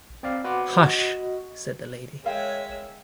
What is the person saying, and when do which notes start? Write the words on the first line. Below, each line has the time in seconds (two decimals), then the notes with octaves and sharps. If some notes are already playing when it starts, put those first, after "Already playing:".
'Hush!’ said the lady.
0.23 C4 D5 F5
0.44 F#4 B4 F#5 C6 D6
0.84 F#4 D#5
2.24 G#3 A#4 C#5 E5 F5 G5